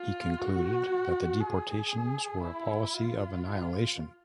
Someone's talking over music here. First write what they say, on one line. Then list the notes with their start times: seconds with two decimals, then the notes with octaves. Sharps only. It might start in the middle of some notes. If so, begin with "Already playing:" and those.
He concluded that the deportations were a policy of "annihilation".
Already playing: F4
0.39 F#4
1.40 G#4
2.42 E4
2.93 F4